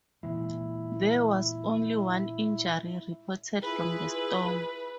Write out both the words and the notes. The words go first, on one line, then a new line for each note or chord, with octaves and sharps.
There was only one injury reported from the storm.
A#2 E3 G#3 E4
E4 F4 G#4 B4